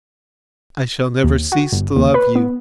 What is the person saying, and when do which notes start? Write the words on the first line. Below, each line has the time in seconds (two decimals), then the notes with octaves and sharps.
I shall never cease to love you....
1.24 D#2
1.52 F#4
1.72 G1
1.96 D#2
2.14 B4
2.35 B3